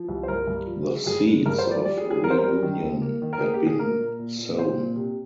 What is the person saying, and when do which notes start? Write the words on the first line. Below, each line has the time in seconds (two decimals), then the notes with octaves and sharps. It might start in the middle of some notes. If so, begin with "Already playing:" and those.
The seeds of reunion had been sown.
Already playing: F3
0.09 C2
0.23 C5
0.28 G2 A#4
0.47 G2
0.67 F3
0.87 G#3
1.06 G2 G#4
1.27 G#3
1.46 G2 A#4
1.59 C5
1.66 F3
1.71 D5
1.85 G3 D5
1.98 G#4
2.04 G3
2.11 G#4
2.23 G3 A#4
2.30 C5
2.38 G3 A#4
2.63 D#3
2.82 D#2
3.02 A#3
3.22 D#3
3.33 A#4
3.40 A#3 G#4
3.54 G4
3.61 A#2
3.67 G#4
3.79 A#3 A#4
3.99 A#2
4.19 A#2
4.38 A#2
4.58 A#2 C5
4.78 A#2
4.96 C3